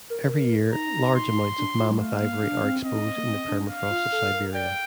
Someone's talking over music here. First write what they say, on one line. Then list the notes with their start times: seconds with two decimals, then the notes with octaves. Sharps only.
Every year, large amounts of mammoth ivory are exposed in the permafrost of Siberia.
0.10 A#4
0.73 D#4 A#5
1.15 C6
1.58 D4
1.79 F4
1.90 G3
2.00 A3 F5
2.21 A#3
2.42 D4
2.63 C4
2.85 C4 D#5
2.95 D#4
3.06 C4
3.16 A#3
3.27 C4
3.48 D4
3.70 F5
3.90 F4
4.12 A4
4.33 A#4
4.54 D5 G5